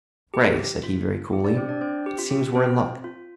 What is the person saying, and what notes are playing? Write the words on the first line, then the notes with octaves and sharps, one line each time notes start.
"Grey," said he, very coolly, "it seems we're in luck."
G4
F4
G4
D4 D5
C4 C5
D4 D5
C4 C5
G4
F4
G4
C4 C5
F4